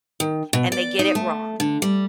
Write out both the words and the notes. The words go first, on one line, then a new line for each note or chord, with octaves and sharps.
and they get it wrong,
D#3
B2
D5
D#4
A3
D3
G3